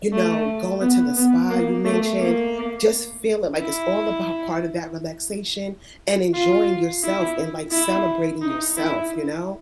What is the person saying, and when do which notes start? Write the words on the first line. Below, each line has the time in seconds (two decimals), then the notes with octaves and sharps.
you know, going to the spa, you mentioned, just feeling like it's all about part of that relaxation and enjoying yourself and, like, celebrating yourself, you know.
0.12 A3
0.80 B3
1.16 B3
1.50 A#3
1.85 A3
2.19 A#3
3.58 E4
6.34 F4
7.03 E4
7.72 E4
8.41 D#4
8.76 E4